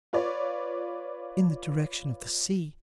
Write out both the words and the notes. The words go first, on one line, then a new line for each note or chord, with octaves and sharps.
"In the direction of the sea."
F4 B4 C#5 D5